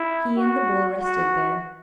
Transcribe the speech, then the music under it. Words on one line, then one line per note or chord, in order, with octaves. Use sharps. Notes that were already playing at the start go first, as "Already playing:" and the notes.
He and the bull rested there.
Already playing: E4
F#4
F#4